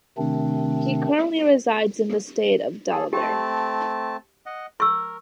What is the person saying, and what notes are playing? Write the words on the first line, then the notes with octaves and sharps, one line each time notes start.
He currently resides in the state of Delaware.
C3 D#3 A3 C4 D4
G#4 A4
A3 C4 G4 A5
D#5 F#5
A#4 C#6 E6